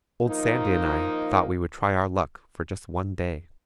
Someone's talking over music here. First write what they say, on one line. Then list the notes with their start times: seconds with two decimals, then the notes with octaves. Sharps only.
Old Sandy and I thought we would try our luck for just one day.
0.25 F3 A#3 D#4